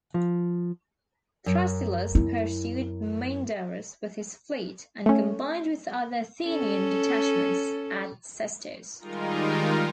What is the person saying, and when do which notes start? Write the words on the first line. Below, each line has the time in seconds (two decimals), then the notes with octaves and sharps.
Thrasyllus pursued Mindarus with his fleet, and combined with other Athenian detachments at Sestos.
0.14 F3
1.46 F#2
2.15 E4
5.06 A3 C#4
6.44 C#4 A4
8.99 D#3 G3 G#3 D#4 F4 A#4